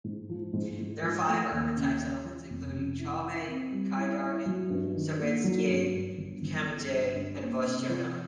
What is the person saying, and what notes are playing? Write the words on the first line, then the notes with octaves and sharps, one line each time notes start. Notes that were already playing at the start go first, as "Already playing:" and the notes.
There are five urban-type settlements, including Chauvay, Khaidarkan, Sovetskiy, Kadamjay and Vostochny.
G#2
F3
G#2
G#2
F3
A3
D#2
C#3
C#3
F3
F1
C#3
E4
E4
C4
G3
E4
E4
F#3
G2
D#3
A#3
F#3
G2
G2
G1
G1
G1
G2
G2
A#3
C3
F3